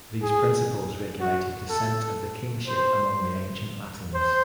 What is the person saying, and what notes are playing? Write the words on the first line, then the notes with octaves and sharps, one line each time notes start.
These principles regulated descent of the kingship among the ancient Latins.
G#4
F#4
A4
C5
C5